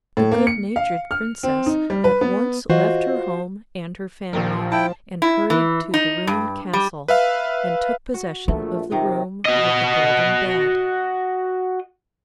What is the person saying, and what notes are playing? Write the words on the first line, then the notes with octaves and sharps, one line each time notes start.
The good-natured Princess at once left her home and her family and hurried to the ruined castle, and took possession of the room with the golden bed.
A2
A#3
C#7
F5
F6
C4
D#4
G3
B4
B3
E3 F4 F#4 C5 D#5
D#1 A#1 F3 A#4
E4 G5 A5
E4
E3
D#4
G2
G3
B4 E5 F5
F#4
A#1 A3 F4
C3 D#3 D#5
F#4 D#5